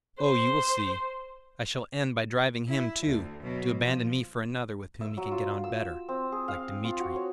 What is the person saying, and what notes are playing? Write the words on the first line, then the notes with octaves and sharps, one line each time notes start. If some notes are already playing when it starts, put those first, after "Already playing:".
Oh, you will see, I shall end by driving him, too, to abandon me for another with whom he can get on better, like Dmitri.
C5
E4
D2
B2 F#3
F3
E5
F#3
F4
E6
C4
G#4
F5
F4
F#4
C#5